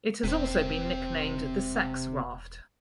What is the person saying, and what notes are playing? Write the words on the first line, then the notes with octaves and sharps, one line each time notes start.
It has also been nicknamed the Sex Raft.
E1 C3 C4